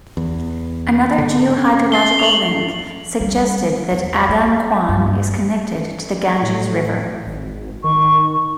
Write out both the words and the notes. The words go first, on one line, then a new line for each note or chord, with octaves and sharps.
Another geo-hydrological link suggested that Agam Kuan is connected to the Ganges river.
E2
G#2 D3
C#4
A6 C7 G7
F7 F#7
G3
E2
B3
G2
A2
G#1
D#3 C#6